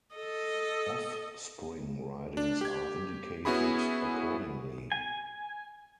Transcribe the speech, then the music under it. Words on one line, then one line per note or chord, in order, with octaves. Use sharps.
"Off-spring" ridings are indicated accordingly.
A4 D#5
D4
G4 G#6
B3 C#4 E4 F#4 G#4 B5
G#5